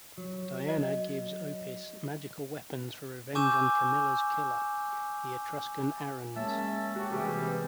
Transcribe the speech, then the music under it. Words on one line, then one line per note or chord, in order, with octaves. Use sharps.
Diana gives Opis magical weapons for revenge on Camilla's killer, the Etruscan Arruns.
F#3
D#5
G#5 C#6 D6 E6 G6 E7
G#3 A#3 C#4 E5 A5
F#4 G4
C3 E3 G3 G4 G#4
C4 B4